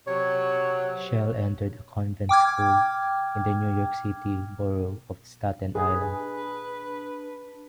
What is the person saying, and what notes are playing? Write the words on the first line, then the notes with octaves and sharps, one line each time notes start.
Schell entered a convent school in the New York City borough of Staten Island.
C3 F#3 C#5
G5 D6 F6 G#6
D4 G#4 B4